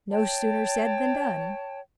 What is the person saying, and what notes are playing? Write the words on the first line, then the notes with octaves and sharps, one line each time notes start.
No sooner said than done.
C#5 G5 A5